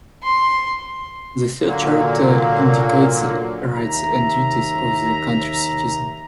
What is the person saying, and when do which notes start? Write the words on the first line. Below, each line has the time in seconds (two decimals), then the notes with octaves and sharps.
The third chapter indicates rights and duties of the country's citizen.
0.23 C6
1.62 A#2 D3 F#3 A#3
3.74 D#2 E5 A#5